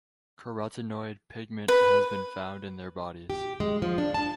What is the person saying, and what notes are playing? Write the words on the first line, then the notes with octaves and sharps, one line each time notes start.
Carotenoid pigment has been found in their bodies.
B4
G4
G#3
F3
D4
A5